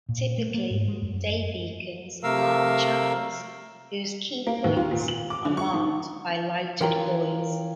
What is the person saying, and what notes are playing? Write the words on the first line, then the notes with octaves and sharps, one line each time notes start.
Typically, day beacons mark channels whose key points are marked by lighted buoys.
A#2
A3
A#3
G#2
G#3
F#2
C3 A3 A#4 F5 E6
A#3
D#2
F4
A#2
F#7
D6
D3
C#6
D#3
E3 C#4 F4 A#4 G5 A#5